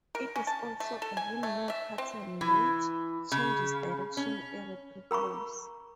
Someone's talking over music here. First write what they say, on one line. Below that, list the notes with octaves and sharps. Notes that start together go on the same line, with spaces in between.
It is also a windmill pattern which changes direction every three throws.
A#4
C#4
A5
A3
A4
G#5
A3
E5
C4
E3
C#3
C#4
A#4 A#5 B5 C#6